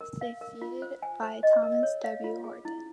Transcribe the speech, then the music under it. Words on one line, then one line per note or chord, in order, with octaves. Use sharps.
He was succeeded by Thomas W. Horton.
A#4
F5
A#4
F4
C5
G#5
C5
D#5
A#4
C#5
F5
F4
G#4
E4